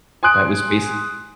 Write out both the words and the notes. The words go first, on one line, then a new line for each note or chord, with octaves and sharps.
that was base
G#5 C6 D#6 F#6 D7